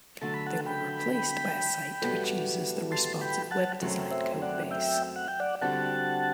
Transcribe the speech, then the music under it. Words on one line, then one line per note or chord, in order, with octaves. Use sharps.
They were replaced by a site which uses the Responsive Web Design codebase.
D3 F#3 A3 A5
B5
F#5 A5
G5 B5
A2 G3 B3 F#4 A4
A5 C6
G5 B5
F#5 A5
F#2 F#3 A3 C4
C5 E5
D5 F#5
E5 G5
F#5
G5
D5 F#5
D3 G3 C4 F#4 F#5 A5